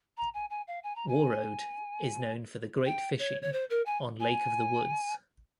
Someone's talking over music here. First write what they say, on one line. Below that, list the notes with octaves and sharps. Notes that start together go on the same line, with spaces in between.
Warroad is known for the great fishing on Lake of the Woods.
A#5
G#5
G#5
F5
G#5
A#5
G#5
G5
C#5
C#5
C5
A#4
G#5
G#5